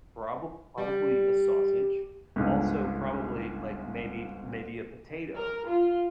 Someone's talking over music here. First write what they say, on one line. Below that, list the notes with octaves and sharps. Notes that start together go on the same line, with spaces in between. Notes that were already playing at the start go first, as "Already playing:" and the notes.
probob probably a sausage. Also, probably, like, maybe maybe a potato
G3
G1 C#2 G#2
A#4
F4